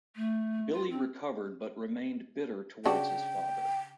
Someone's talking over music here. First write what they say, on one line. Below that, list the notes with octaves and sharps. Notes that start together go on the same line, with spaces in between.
Billy recovered but remained bitter towards his father.
A3
F4
C4
C#3 D4 F#4 G5